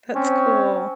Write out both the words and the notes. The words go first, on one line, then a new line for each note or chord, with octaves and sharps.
That's cool.
C4 C#4